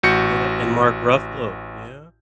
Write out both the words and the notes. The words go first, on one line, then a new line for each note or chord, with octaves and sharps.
Yeah, and Mark Ruffalo. Yeah.
A1 F#4 G6 C#7